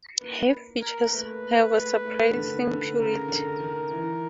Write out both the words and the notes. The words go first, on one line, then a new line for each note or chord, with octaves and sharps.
Her features have a surprising purity.
A#3 B4
A#4
A#3
A3 B4
A#3
A3
A3
D3
D#3
D3
C#3 A#4
D3
D#3
E3